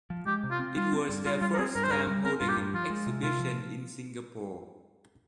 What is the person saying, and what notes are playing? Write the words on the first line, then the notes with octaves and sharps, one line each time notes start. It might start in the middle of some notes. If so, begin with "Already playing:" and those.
It was their first time holding an exhibition in Singapore.
F3
G#3 G4
C3
F4
C4
G3 F4
C4
G2
G2 F4
G3 F4
A#4
C4 G#4
G2 A#4
C5
G2 A#4
G3
C4 A#4
G2 F4
G4
G2
F3 F4
G#3
C3
C3 F4
F3